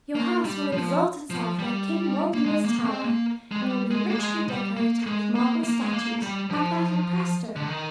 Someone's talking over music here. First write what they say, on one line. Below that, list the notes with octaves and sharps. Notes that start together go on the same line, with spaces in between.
Your house will exalt itself like King Waldemar's tower, and will be richly decorated with marble statues, like that at Prastoe.
A#3
G3
F3
F3
G3
A#3
G#3
A#3
A#3
C4
A#3
G#3
G3
G#3
A#3
G#3
G3
A#3
G#3
A#3
A#3
G#3
A#3
G3
F3
D3
D#3